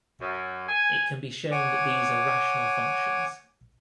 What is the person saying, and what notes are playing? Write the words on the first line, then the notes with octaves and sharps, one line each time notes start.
It can be shown that these are rational functions.
F#2
G#5
C#5 F#5 G#5 D6